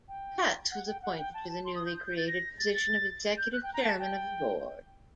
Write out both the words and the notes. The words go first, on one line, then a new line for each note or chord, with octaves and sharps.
Katz was appointed to the newly created position of executive chairman of the board.
G5
F#5
G5
F#5
G5
A5
A5
C6
D#6
G6
G6
G6
A6
A#6
A6
A6
G6
F#6
G5
A#5
A5
G5